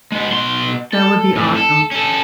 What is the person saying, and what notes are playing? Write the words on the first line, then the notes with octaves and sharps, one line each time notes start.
That would be awesome.
G#3 B3
B2 C6
A4
F2 A2
A4
C#4 A4